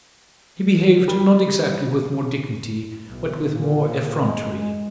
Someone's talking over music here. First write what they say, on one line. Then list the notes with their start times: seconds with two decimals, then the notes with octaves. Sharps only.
He behaved not exactly with more dignity but with more effrontery.
1.08 G3
3.06 B1
3.51 A#2
4.19 G#3